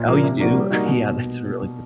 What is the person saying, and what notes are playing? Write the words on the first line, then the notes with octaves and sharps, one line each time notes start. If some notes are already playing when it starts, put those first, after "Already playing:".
Oh, you do? Yeah, that's really g
Already playing: A#2
F3 A#3 D4
C3
F3 A#3 D4 F#4
G3
A#3 D#4 F#4
B2